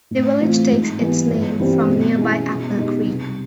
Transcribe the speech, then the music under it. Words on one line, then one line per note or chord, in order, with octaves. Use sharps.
The village takes its name from nearby Apple Creek.
A2
E3 A3 C4 F4
G#2
E3 G3 B3
G1
G2 E3 G3 C4
B2
G#3 C#4 E4
B2
G#3 B3 D#4 G4
C2